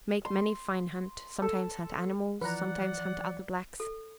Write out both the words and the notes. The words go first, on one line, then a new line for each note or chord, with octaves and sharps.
Make many fine hunt, sometimes hunt animals, sometimes hunt other Blacks.
C6
A4
E3 F3 B4 D5 F#5 A#5
A4